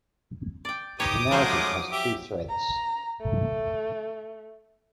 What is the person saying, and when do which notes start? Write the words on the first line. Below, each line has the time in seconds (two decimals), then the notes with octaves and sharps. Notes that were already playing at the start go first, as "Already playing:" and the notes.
The narrative has two threads.
0.65 D5 G5
1.00 D#4 G4 B4 C#5 D6 D#6
1.31 F3 F#3 G#3 A3 C#4 C5
1.92 G4 E5
2.49 A#5
3.21 A3